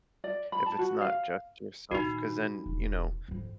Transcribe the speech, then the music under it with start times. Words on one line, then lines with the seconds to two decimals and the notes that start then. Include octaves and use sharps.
If it's not just yourself, 'cause then, you know,
0.24 D5
0.52 B5
0.66 A5
0.79 F#4
1.01 F5
1.91 A#2 D#3 D#4 F#4
2.66 E1
3.28 G#1 F2